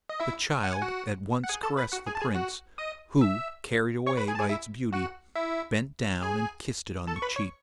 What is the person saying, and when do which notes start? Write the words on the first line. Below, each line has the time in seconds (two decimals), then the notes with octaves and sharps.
The child at once caressed the Prince, who, carried away by its beauty, bent down and kissed it on the cheek.
0.09 D#5
0.20 E4 E5
0.63 F#5
0.73 G#5
0.82 F#4 F#5
1.44 F#5
1.49 G#4 G#5
1.63 A4 A5
1.77 B4 B5
1.92 F#4 F#5
2.06 G#4 G#5
2.15 A5
2.21 G#4 G#5
2.35 F#4 F#5
2.78 D#5 D#6
3.21 E5 E6
4.07 C#5 C#6
4.17 B4 B5
4.28 G#4 G#5
4.35 A5
4.39 G#4 G#5
4.49 E4 E5
4.93 F#4 F#5
5.36 E4 E5
6.22 G#4 G#5
7.07 A4 A5
7.16 C#6
7.22 B4 B5
7.36 C#5 C#6